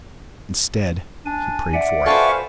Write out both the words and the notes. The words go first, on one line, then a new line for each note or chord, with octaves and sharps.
Instead he prayed for it.
D4 G#5
D5 E5 F#5
F#4 A4 B4 C5 F5 G#5